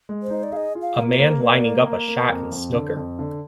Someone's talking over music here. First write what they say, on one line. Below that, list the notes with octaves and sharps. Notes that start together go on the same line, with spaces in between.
A man lining up a shot in snooker.
G#3
C5
D#4
D5
G#4 D#5 F5
F4
F5
A#3
C5
A#3
A#3 D5
A#3
A#3
A#3
F2
F2
D3
F2
D3